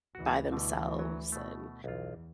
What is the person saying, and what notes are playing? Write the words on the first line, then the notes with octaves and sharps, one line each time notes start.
by themselves and,
D2 E3 F#4
B2 D3 G3
F#3
B2 A3
B1 E2 F4